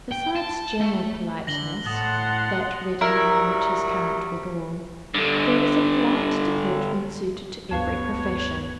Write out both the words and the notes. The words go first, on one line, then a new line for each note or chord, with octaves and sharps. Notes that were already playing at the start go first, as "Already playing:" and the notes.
Besides general politeness, that ready money which is current with all, there is a polite deportment suited to every profession.
G5
A5
A3
D3 A#6 F#7 G7
A2 F#5 A5 C6 D#6 G7
F#3 G3 E4 A#4 E5
G2 D3
D2 G2 B3 B4 C#5 F5 A5